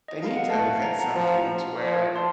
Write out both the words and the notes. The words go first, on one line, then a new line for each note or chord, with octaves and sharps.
They need to invent something to where, like,
D#5
F5
F#5
A3 F5 A5
A#5
A5
F#5 A#5
F3
F3
A5 C6